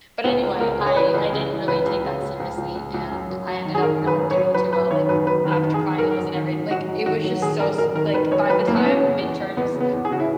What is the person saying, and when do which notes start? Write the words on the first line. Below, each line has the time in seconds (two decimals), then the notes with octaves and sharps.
but anyway, I I didn't really take that seriously and I ended up not doing too well, like, after finals and every like, it was just so s like, by the time midterms
0.24 C#2 B3
0.43 C#2
0.60 C#2 A#4
0.79 C#3
0.86 C#5
0.96 E3 B4
1.14 C#2
1.32 C#3
1.51 E3
1.68 C#2 B4
1.86 C#2
2.05 C#3
2.22 C#2
2.40 C#2
2.58 C#2
2.75 C#2
2.94 C#2
3.12 F#2
3.30 F#2
3.48 F#2
3.65 D#3
3.75 G#4
3.83 D#3 A#4
4.01 F#2
4.07 B4
4.19 F#2
4.31 C#5
4.37 F#2
4.54 F#3 B4
4.73 F#2 B4
4.90 D#3 C#5
5.09 F#2 B4
5.27 F#2 B4
5.45 D#3
5.51 B4
5.62 D#3
5.74 G#4
5.81 D#3
5.98 F#2 A#4
6.17 F#2
6.35 D#3
6.53 F#2
6.70 F#2 F#4
6.88 F#2
7.06 D#3 F#4
7.24 F#3
7.42 D#3 G#4
7.60 F#2 A#4
7.78 F#2 A#4
7.95 D#3 A#4
8.13 D#3 B4
8.31 F#2 C#5
8.49 F#3 B4
8.67 F#2 A#3
8.77 B3
8.85 E2 C#4
9.03 C#3
9.21 E2
9.39 E2
9.57 E2 B3
9.75 C#3
9.81 B3
9.93 E2
10.05 G#4
10.10 C#3 F#4
10.20 E4